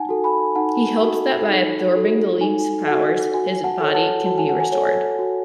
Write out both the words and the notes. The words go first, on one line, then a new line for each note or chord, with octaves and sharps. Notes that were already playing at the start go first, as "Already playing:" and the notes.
He hopes that by absorbing the League's powers, his body can be restored.
Already playing: D#4 F#5 G#5 A5
F#4 A4
G#5 B5
D#4 F#5 A5
F#4 A4
D#4
F#4 A4
D#4 G#5
F#4 A4 F#5
F#4 G#5
F#5 A5
A4 C#5
F#5 A5
F#4 A5
G#5
F#5
G#5
A4 C#5
F#4